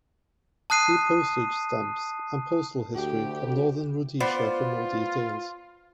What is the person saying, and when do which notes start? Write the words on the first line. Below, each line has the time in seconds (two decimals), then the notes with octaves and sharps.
See Postage stamps and postal history of Northern Rhodesia for more details.
0.70 A5 D#6 F#6 C7 D#7
2.95 D2 F#4 G4
4.20 B3 F4 C5 D5